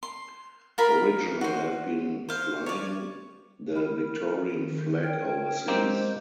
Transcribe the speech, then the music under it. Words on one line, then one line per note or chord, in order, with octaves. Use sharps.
Original have been flying the Victorian flag overseas.
C6
F4 A#4 B5
F#4 C5
C5 F5
C#5 D5
E4 A#4
D#3
A#4 C#5 G5
G#3 A#3 C4 G4 C5